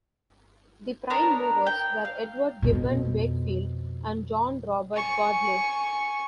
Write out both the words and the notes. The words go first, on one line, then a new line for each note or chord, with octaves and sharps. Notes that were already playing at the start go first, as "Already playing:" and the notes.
The prime movers were Edward Gibbon Wakefield and John Robert Godley.
B3 D4 A#4 C#5
G5
F5
F2 B2
G#5 C#6